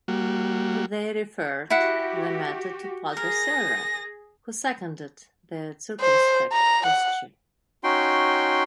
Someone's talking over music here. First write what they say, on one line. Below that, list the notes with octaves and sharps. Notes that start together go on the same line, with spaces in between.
They referred the matter to padre Serra, who seconded their circumspect posture.
G3 A#3 F#4
E4 F#4 G4 F#5
G#4 A#4 A#6
C5
A#5
F#5
C#4 D#4 F#4 G5 C6